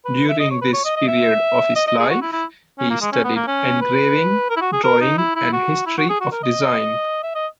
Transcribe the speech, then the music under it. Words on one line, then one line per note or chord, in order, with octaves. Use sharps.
During this period of his life he studied engraving, drawing and history of design.
B4
E5
D#5
C#5
B4
C#5
D#5
D#5
E5
D#5
D#5
G#4
F#4
E4
E4
C#4
A#3
G#3
C#4
B3
A#3
C#4
B4
A#4
E4
F#4
G#4
A#4
D#4
E4
E4
F#4
E4
F#4
G#4
F#4
A#4
D#5
E5
D#5